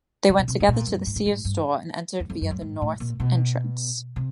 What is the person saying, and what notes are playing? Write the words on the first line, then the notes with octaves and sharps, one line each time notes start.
They went together to the Sears store and entered via the north entrance.
C#3
B2
C3
A2
A#2
F#2
G#2
A2
G#2
G2
E2
F2
F#2
G2
G#2
A2
A#2
B2
C3